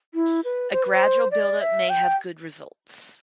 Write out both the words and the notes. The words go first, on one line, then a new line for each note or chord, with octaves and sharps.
A gradual buildup may have good results.
E4
B4
C5
B4
C5
D5
E5
G5